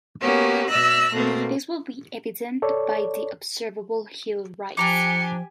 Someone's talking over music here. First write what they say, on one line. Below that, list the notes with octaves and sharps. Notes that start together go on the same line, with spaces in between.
This would be evident by the observable heel rise.
A#3 B3 C#4 F#4 G4
B2 D5 E5 E6 F#6 A#6
B2 A3 A#3 C4
A4 C#5 D5
F3 D4 G4 G#5 A#5 D6 C#7